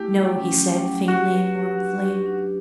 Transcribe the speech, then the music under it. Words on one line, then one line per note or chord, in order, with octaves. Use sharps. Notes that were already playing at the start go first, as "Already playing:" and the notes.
"No," he said, faintly and mournfully.
Already playing: A3 E4 G4
F#3
C#4
F#3
F#3
F#4 G4
B4
G4
D4
G4
D4